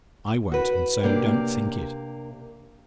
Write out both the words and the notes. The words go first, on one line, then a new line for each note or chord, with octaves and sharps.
I won't, and so don't think it.
F#4 B4
C3 A#3 D4 G4 D5